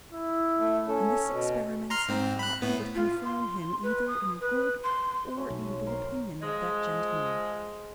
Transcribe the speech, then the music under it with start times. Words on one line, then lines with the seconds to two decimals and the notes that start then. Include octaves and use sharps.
And this experiments he thought, would confirm him either in a good or evil opinion of that gentleman.
0.12 E4
0.59 A3
0.88 C#4 A4
1.31 B2
1.90 A#5 C6 F6
2.08 G#2 C4
2.39 B5 F#6
2.62 A2 B3
2.95 F4
3.24 C6
3.83 B4
4.08 D#6
4.41 B4
4.84 C6
5.36 F#3 A3 C#4
5.50 B1
5.86 A#4 C5 C6
6.40 F3 G#3